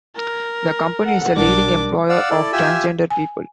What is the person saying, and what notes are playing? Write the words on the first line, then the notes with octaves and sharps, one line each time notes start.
The company is a leading employer of transgender people.
A#4
A4 F#5
B1 G3 D4 A#4 D6
D5 F5 F#5 E6
E4 A4 D5
F4 G4 E5 G#5 E6
G#5